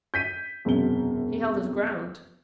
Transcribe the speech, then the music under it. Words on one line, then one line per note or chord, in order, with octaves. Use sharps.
He held his ground.
G6 B6 D#7
E1 F#2 C3 G7